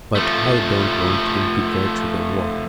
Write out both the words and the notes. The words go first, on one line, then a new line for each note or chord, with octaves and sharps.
But I don't want him to go to the war.
F3 A3